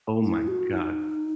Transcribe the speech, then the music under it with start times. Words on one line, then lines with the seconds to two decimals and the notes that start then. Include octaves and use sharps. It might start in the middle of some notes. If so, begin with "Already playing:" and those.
Oh, my god.
0.24 E4
0.48 G4
0.51 F#4
0.73 E4
0.78 D#4